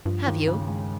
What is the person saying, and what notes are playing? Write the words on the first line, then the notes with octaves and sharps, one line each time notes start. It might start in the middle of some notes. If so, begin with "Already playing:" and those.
"Have you?"
G2 F3
D#2
C#3
G#3